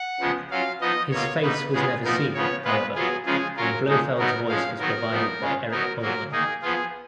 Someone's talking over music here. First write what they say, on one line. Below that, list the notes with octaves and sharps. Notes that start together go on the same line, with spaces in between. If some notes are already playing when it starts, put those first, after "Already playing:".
His face was never seen, however, and Blofeld's voice was provided by Eric Pohlmann.
Already playing: F#5
C#3 F3 G#3 B3
F#3 C#4 F4 F5
F3 B3 D#4 D#5
B2 A#3 F4 C#5
B2 A#3 D#4 B4
C#3 G#3 B3 F4 G#4
A#2 F3 B3 D#4 A#4
C#3 F3 B3 C#5
A#2 G#3 B3 F4 B4
F#3 B3 F4 G#4
C#3 F3 G#3 C#4 F4 G#4
F#3 C#4 F4 A#4
A#2 F3 G#3 D#4
B2 F#3 B3 D#4 A#4
F3 G#3 C#4 F5
D#3 F#3 B3 D#4 A#4
A#2 F3 B3 D#4
C#3 G#3 C#4 F4
F#3 B3 D#4 A#4
A#2 F#3 A#3 A#4
D#3 A#3 D#4 G#4
F3 B3 F4 G#4